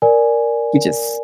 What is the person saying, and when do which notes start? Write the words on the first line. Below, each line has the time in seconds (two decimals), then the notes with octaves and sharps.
You just
0.02 A#4 D5 G#5